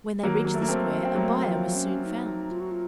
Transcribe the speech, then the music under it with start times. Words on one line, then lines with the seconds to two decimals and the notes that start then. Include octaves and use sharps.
When they reached the square, a buyer was soon found.
0.23 D#3 F#3 A#3
0.45 F#3
0.54 A3
0.62 A#3
0.69 A3 C4
1.05 C4
1.14 F#3 A3 A#3
1.45 F3
1.75 C#4
2.05 D#4
2.51 F4
2.60 F#4
2.71 F4